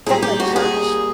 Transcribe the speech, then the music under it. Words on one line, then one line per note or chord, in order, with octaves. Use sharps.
From the church?
A#2 G3 G#4
G4
F#4
G#4